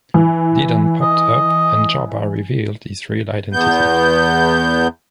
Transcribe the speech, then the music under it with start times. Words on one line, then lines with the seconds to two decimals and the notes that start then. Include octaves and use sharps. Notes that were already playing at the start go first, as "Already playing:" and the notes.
Didon popped up, and Jarba revealed his real identity.
0.14 E3
1.02 D#5
3.53 E2 B3 G6